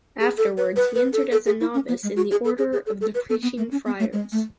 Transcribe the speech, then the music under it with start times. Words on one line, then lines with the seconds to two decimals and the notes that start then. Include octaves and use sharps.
Afterwards he entered as a novice in the Order of the preaching friars.
0.20 G#4
0.38 A4
0.57 B4
0.76 B4
0.95 B4
1.13 A4
1.31 A4
1.46 G#4
1.60 E4
1.74 C#4
1.88 B3
2.03 G#3
2.16 F#4
2.31 G#4
2.45 A4
2.58 G#4
2.72 G#4
2.86 A4
3.01 A4
3.14 B4
3.29 A4
3.43 B3
3.57 A3
3.72 C#4
3.85 B3
3.99 A3
4.13 G#3
4.32 A3